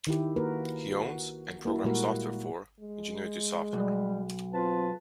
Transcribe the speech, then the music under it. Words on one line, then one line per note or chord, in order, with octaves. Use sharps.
He owns, and programs software for, Ingenuity Software.
D#3 E4 G4
A#3 F#4 A#4 B4
F#4
A#3 E4 F#4
A#2 G3 G#3 A#3 F#4 A#4
G#3
B1 G3
C4 F4 B4 A5